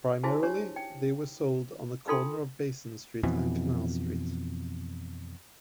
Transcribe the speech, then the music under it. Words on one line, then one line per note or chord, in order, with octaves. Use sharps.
Primarily they were sold on the corner of Basin Street and Canal Street.
E4 F#4 G#4 C5 G#5 A5
D4 G4 C#5
D#4 G5
D4 D#4 F4 A4 G5 C6
F2 B2 E3